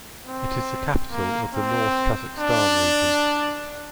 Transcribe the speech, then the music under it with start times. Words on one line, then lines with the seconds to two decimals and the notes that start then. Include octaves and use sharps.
It is the capital of the North Kazakhstan Region.
0.28 C4
1.12 A#3
1.54 C4
2.38 D4